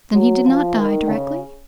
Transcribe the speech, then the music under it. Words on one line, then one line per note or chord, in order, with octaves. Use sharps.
'Then he did not die directly?'
F#3
F3
D#3
C#3